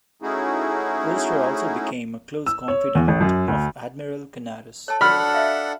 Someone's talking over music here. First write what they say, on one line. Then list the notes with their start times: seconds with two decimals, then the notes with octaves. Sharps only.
Oster also became a close confidant of Admiral Canaris.
0.22 A3 C#4 D#4 E4 F#4 G#4
2.47 E6
2.68 C#5
2.95 E2
3.08 A1
3.21 F#2
3.48 D2
4.88 A4 C#5 A5
5.01 D4 F#4 A4 F#5 B5 E6 F6
5.34 E5 F5